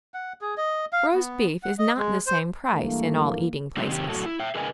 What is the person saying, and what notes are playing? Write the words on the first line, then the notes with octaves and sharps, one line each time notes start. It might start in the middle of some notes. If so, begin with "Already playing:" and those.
Roast beef is not the same price in all eating-places.
F#5
G#4
D#5
F5
B3
F#5
D#5
G#3
C5
G2 E3 A3 A#3
F#3 G#3 B3 D#4
C3 D#3 G4
F#2 A2 A3 F#4 A4
E4
E5 G5
G#4 A#4 B4 D#5 F#5 G#5